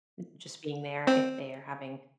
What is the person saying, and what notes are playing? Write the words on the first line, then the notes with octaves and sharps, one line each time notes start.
n just being there if they're having,
C4